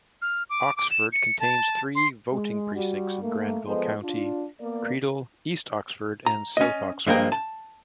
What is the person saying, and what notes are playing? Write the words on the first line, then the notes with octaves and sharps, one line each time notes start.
Oxford contains three voting precincts in Granville County: Credle, East Oxford, and South Oxford.
F6
D6
D6
E7
C#7
A5
C6
G#3
G3 F#4
A3 A#3
F3 G#3 B3 A4 C5 D#5
D4 F4
A#3 B3 D5
A#5
C#4 D#5
G2 F3 G#3 A#3 A#4 G5
A5